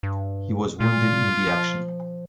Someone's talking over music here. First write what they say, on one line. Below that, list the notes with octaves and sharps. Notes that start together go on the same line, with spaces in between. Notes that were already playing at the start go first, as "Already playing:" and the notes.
He was wounded in the action.
G2
A#2 F4
F3